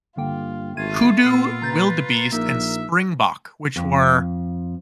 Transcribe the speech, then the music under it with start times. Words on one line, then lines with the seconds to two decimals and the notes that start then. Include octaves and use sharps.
hoodoo, wildebeest, and springbok, which were,
0.17 G2 D3 A#3 F4 G5
0.77 G#1 A3 F4 G#6 D#7
1.26 A#2 B3 E6 F6 C7
1.62 B4 A#5 G6 A6
2.32 A#1 A#3 D#4 A#4 E5
3.76 F2